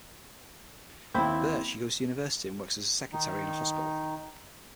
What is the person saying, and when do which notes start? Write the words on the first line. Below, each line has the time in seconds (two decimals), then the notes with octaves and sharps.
There, she goes to university and works as a secretary in a hospital.
1.14 D#2 C4 E4 B5 G6
3.13 D#3 D#4